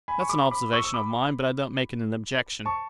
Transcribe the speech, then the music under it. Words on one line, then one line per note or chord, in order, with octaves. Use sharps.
That's an observation of mine, but I don't make it an objection.
G#5 B5
C#6
B5 D6
B5 D6
C#6 E6
E6
B5 D6
A5 C#6